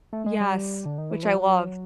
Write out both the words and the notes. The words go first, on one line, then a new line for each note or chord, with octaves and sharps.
Yes, which I loved.
A3
G#3
G3
D3
D#3
E3
F3
F#3